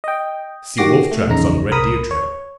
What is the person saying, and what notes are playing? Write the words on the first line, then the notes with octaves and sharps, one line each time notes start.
See wolf-tracks on red deer trail.
D#5 G5
D#3 F#4 G4 D6 A#6 C7
A3
A#1 E2 C#3 D#4 A#5
C2 A#4 B5 D#6
C#5